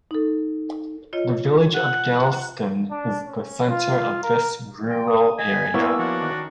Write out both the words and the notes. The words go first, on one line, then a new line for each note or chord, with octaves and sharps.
The village of Galston is the centre of this rural area.
D#4 A4
F4 C#5 D#5
F#5
D4
C#4
F4
A#4
G5
D#6
D#5 G#5 B6
A#3 B3 C#4 E4 E6
F3 D4 F#4
D#3